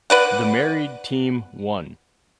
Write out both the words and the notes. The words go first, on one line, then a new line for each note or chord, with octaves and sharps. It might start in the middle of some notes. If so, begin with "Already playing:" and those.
The Married team won.
B4 D5 F#5